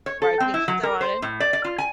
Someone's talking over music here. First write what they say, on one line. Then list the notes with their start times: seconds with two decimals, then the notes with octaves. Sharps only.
Right, being so on.
0.06 C#5
0.22 A4
0.40 C4
0.54 E4
0.68 F#3
0.83 A#4
1.01 C5
1.22 A2
1.40 D5
1.53 D5
1.64 F4
1.78 G#5